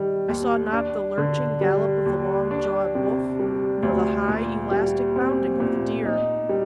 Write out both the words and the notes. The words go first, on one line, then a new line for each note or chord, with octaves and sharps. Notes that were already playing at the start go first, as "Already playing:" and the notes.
I saw not the lurching gallop of the long-jawed wolf, nor the high, elastic bounding of the deer.
Already playing: D#3 G3
D#2
D4
D3
G3
D#2
D4
C3
G3
D2
A#2
G3
C4
A#2
D#4
G3